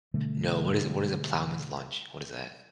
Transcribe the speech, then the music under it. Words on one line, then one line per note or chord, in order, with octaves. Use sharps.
No, what is what is a ploughman's lunch? What is that?
B2 D3 G3 A3